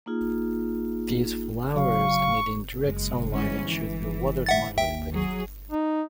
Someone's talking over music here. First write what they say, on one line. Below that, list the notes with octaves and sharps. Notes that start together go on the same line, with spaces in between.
These flowers need indirect sunlight and should be watered moderately.
A#3 D#4 F4 G#4
C#3 F#3 F5 C#6
F#1 G#3
G1 G#2 E3 C#4
E3
E5 F#5 A6
D#2 E5 G5
F#3 G#4
D#4